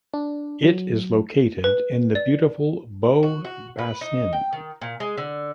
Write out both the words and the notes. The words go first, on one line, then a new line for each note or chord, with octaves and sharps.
It is located in the beautiful Beau Bassin.
D4
F#3
B4
D5
F#4
F#4
B4
D#4
G5
D#3
A#2
G#3
D3